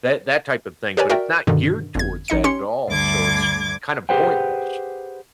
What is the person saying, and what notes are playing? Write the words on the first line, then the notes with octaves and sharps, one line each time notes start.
that that type of thing, but it's not geared towards that at all, so it's kind of pointless.
G4 A#4 B4 C#5 D5 G#5
F#4 A#4 D5 E5 G5
G2 B2 D3 D#3
G1 F2 G#6
A1 D#4 D#5 C#7
C#4 G4 C#5 C6 C#7
D2 G2 D6 G#6
G4 G#4 B4 C5 F#5 G5